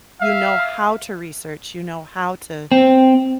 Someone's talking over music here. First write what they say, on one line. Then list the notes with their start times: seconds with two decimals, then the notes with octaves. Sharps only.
you know how to research, you know how to
0.21 E5 F5
2.72 C4